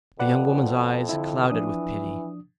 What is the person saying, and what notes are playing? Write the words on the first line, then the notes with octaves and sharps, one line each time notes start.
The young woman’s eyes clouded with pity.
F2 B4 D5 F#5
D3 E4
E3 F3 D4 D#6